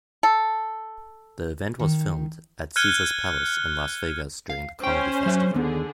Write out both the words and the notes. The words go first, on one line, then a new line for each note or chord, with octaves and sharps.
The event was filmed at Caesar's Palace in Las Vegas during The Comedy Festival.
A4
D#3
F6 F#6 G#6 C#7 D#7 G7
F5
C#4 C5 G5
F#3 E5
D#2 D3 B3 G#4